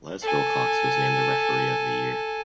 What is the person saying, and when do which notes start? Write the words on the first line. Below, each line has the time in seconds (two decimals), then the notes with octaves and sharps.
Les Wilcox was named the Referee of the Year.
0.23 A4 G#5